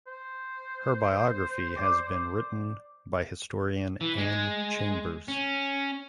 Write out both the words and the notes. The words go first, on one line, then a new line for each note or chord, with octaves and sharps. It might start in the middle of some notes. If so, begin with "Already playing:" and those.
Her biography has been written by historian Anne Chambers.
C5
D5 D6
E3
G#3
C#4